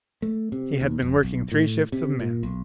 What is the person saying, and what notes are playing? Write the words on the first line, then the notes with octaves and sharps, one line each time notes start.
He had been working three shifts of men.
A3
C3
D#2
F1
B1
A2
C3
A#2
B1